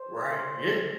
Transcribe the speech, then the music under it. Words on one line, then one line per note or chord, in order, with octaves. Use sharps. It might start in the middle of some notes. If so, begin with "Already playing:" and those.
Right, yeah,
Already playing: C5